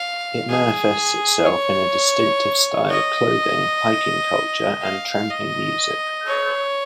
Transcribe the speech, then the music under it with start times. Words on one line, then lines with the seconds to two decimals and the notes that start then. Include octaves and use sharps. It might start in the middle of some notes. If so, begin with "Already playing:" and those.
It manifests itself in a distinctive style of clothing, hiking culture and tramping music.
Already playing: F5
0.49 G#4
1.46 C#5
2.90 D#5
4.83 F5
5.31 D#5
6.26 C#5